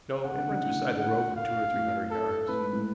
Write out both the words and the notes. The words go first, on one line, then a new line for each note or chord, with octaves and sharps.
"No, it runs beside the road for two or three hundred yards."
C#3 F#5
D3
C#3
A2
A2 F#5
F5
A2
A4
A2 B4
G#2
A2